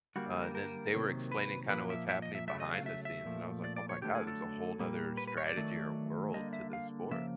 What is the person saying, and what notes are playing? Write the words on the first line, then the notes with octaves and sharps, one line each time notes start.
Uh, and then they were explaining kinda what's happening behind the scenes, and I was, like, "Oh my god. There's a whole nother strategy or world to this sport."
D3 G3 A#3 F#4
A#4
A#4
C3 D#3 F#3 A#3
B4
A#2 F3 A#3 B4
E5
E5
D#5
E5
C#3 F#3 A3 E5
D#5
F5
E5
E5
A#2 F3 A3
D5
D5
C#5
D3 F#3 A3 G4
G#4
A4
A#2 G3 A#3
B4
B4
C#5
D5
D#3 F#3 A3
D3 G3 A#3 D#5
E5
F5
C#3 F3 A#3 E5